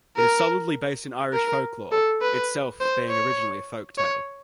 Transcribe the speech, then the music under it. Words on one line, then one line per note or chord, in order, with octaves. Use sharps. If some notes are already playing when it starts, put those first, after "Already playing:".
It is solidly based in Irish folklore, itself being originally a folktale.
A#4
A#4
A4
B4
C5
C#5
C#5